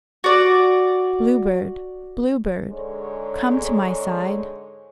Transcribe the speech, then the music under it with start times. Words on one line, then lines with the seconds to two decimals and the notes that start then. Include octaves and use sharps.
"Blue Bird, Blue Bird, Come to my side."
0.24 F#4 D5
2.69 G#2 D3 G#3 C#5